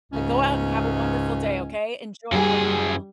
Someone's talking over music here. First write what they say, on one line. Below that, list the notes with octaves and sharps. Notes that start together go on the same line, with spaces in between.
Uh, go out and have a wonderful day, okay? Enjoy Portugal.
C#2 G#2 C#3 C#4
F#2 G3 G#4